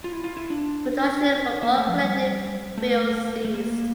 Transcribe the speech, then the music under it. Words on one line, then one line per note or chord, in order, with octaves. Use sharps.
Production from all connected fields ceased.
F4
E4
F4
E4
D4
A#3
A3
F3
G3
A3
A3
A#3